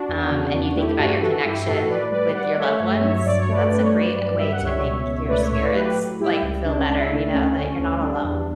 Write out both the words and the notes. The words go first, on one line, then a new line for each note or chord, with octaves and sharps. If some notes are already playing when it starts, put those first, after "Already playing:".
um, and you think about your connection with your loved ones. That's a great way to make your spirits, like, feel better, you know, that you're not alone.
Already playing: D4 F#4
E2
C#3
E2
A3 E4 G4
E4 G4
G2 D4 F#4
E4 G4
E3 F#4 A4
G2 E4 G4
A2 F#4 A4
A2 B4 D5
G3 B4 D5
G3 D5 F#5
F#5
A3 C#5 E5
G2
F#3 C#5 E5
G2 D5
C#5
A3 B4 D5
G2 B4
C#5
F#3 B4 D5
G2
G3 E5
F#5
C#2 C#5 E5
B2
C#2
A3 B4 D5
C#5 E5
A2 C#5 E5
B4 D5
F#3 G4 B4
A2
G3 E4 G4
C#2
C#3 D4
C#4
C#2 D4
C#4 E4
A3 D4
D2 C#4
D3
D2
G3 D4
E2